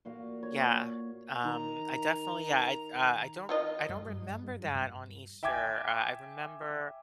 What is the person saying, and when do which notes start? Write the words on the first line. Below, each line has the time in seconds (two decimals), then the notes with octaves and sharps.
yeah, um, I definitely yeah, I I don't I don't remember that on Easter, uh, I remember
0.05 A#2 F#4 F5
0.43 C#5
1.44 D#3 A#5
3.49 D#3 F4 D#5
3.89 G2
5.43 E5 G5 G#5 D6 G#6